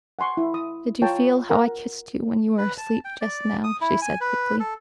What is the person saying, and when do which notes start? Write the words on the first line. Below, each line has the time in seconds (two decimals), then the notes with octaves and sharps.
"Did you feel how I kissed you when you were asleep just now?" she said thickly.
0.19 F#5 G#5 C6 C#6
0.37 E4
0.54 D#6
1.02 F4 C#5 G5 A5 A#5
1.50 A#4 F#5
2.58 B4
2.78 A5
3.05 G5
3.21 D5
3.64 D#6
3.81 E4
4.02 G#5
4.21 B4
4.60 A4